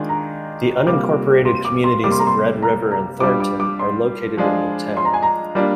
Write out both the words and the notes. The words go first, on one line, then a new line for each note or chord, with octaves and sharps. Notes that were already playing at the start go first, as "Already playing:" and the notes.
The unincorporated communities of Red River and Thornton are located in the town.
Already playing: D#3 G#3 D4 F4
A#5
C3 G3 A#3 F4 D6
C6
D6
C6
C3 G3 A#3 D6
C6
A#5
C6
A#5
A#5
G3 D4 F4 D6
D6
D6
C6
F3 G#3 D4 F4
C6
A#5
G#5
A#5
G3 A#3 D4 F4